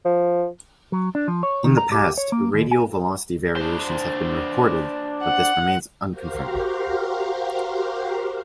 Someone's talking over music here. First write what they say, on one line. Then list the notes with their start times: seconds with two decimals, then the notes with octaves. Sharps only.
In the past, radial velocity variations have been reported, but this remains unconfirmed.
0.05 F3
0.92 F#3
1.15 D4
1.28 F3
1.43 C#5
1.64 D#3
1.77 A#5
1.92 G4
2.18 C#5
2.32 A#3
2.54 D#2
2.71 G#5
3.56 D4 C5
5.24 F#5
6.10 F#4 G4 A#4 C5 F5